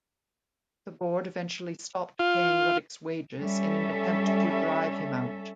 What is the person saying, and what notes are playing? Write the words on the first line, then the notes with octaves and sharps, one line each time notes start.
The board eventually stopped paying Ruddock's wages in an attempt to drive him out.
F4
G3 C#4 A4 E5